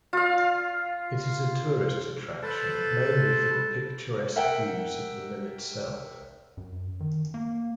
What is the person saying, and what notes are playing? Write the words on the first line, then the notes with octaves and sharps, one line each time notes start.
It is a tourist attraction mainly for the picturesque views of the mill itself.
F4 F5
A4 B4 C5 A5
A#4 E5 F#5 G5
F#2
D#3
A#3